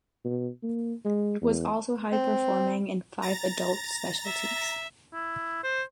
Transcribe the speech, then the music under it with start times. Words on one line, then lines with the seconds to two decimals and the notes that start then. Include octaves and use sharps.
It was also high-performing in five adult specialties.
0.25 B2
0.63 A#3
1.05 G#3
1.41 E2
2.13 C4
3.22 A#5 A6 A#6
4.25 E5
5.13 E4
5.64 C5